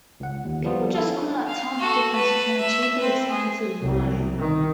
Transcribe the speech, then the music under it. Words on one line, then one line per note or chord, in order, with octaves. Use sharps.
"People just could not tell the difference between cheap and expensive wine".
C#2 F#5
D#2
F3 G3 B3 F4
E4 A4
C#4
F5
F#4 A4
B4 A5
E5
C4 B4
G#4
C2
D#3